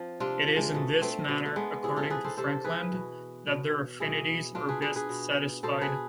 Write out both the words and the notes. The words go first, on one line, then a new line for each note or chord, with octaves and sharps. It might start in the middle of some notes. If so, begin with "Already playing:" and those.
It is in this manner, according to Frankland, that their affinities are best satisfied.
Already playing: F3 C4
C3 D4 F4
F3
G#3
B2 A3
A3 C4
B2 A3
A3
G#3 B3
C3 E4 G#4
F4 A4
E3 G#4 B4
A4 C5
C3 A4 C5
E3 G#4 B4
B2
B2
B2 E4 G#4
B2 D4 F4
G#4 B4
G#4 B4
G#4 B4
B2
B2 A4 C5
G#4 B4